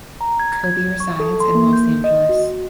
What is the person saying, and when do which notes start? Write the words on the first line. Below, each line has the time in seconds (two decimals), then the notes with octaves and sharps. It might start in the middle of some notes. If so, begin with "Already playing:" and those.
Kirby resides in Los Angeles.
0.21 A#5
0.40 G#6
0.64 G#6
1.00 C#6
1.20 A4
1.40 C6
1.55 A#3
1.73 G6
2.04 D#5
2.29 F#4